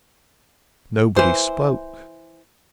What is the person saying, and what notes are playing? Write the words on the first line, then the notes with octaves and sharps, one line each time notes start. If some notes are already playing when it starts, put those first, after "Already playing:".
Nobody spoke.
E3 C5